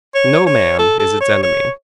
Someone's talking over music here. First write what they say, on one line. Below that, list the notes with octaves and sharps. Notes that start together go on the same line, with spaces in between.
No man is its enemy.
C#5
C#5
A4
A4
C#5
C#5